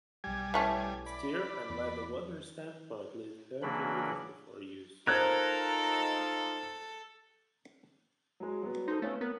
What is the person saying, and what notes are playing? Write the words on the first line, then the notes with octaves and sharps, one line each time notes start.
Stir and let the water stand for at least thirty minutes before use.
B1 G3 G#5 G#6
E3 A3 C#4
D5 B5
E2
C#3 E3 F#3 A#3 D4 B5
D#4 F4 A4 A#4 C5 F#6 G#6
F#3 G#3
F#3 G3 B3
D#4 A4 C5
A3 B3 C#4 F4
B3 A#4